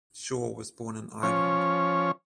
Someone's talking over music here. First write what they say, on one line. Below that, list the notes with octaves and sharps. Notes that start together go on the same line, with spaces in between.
Shaw was born in Ireland.
F3 C#4 C#5